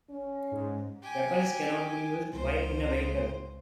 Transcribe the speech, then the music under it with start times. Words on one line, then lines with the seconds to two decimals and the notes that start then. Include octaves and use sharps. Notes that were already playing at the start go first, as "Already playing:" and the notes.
Weapons can not be used while in a vehicle.
0.10 C#4
0.51 G#2
1.03 G4 G#5
2.32 C#2 C5